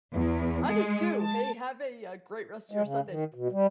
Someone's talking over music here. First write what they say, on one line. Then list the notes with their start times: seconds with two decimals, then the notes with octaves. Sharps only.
I did too. Hey. Have a, uh, great rest of your Sunday.
0.13 E2
0.66 G#3
1.20 A5
2.71 G#3
2.83 C#3
3.08 D#3
3.34 B2
3.52 G3